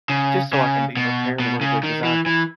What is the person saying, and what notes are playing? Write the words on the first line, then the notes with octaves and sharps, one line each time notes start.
just so I can be prepared a little bit 'cause I,
C#3
C#3
B2
B2
C#3
D#3
E3
E3